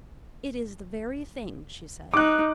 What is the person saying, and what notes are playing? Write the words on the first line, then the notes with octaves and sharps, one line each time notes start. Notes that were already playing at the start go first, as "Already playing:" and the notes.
"It is the very thing," she said.
D#4 D6 F#6